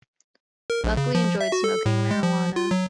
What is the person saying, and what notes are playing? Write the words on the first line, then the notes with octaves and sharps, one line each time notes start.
Buckley enjoyed smoking marijuana.
A#4
A#1
C#3
F3
E5
F#4
A4
A2
G#3
F3
F4
F#3